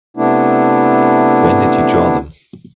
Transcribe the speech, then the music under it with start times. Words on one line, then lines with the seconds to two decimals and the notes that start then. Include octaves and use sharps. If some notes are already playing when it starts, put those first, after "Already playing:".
When did you draw them?
0.17 C3 A3 B3 D4 E4